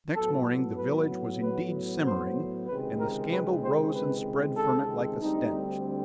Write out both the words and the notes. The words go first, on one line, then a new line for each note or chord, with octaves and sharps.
Next morning the village was indeed simmering, and the scandal rose and spread from it like a stench.
A2 F#3 B3 A4
B4
B4
C5
C#2 C3 D#3 G#3 C4 B4
A#4
B4
C5
B4
A4
D2 D3 G3 C4 D#4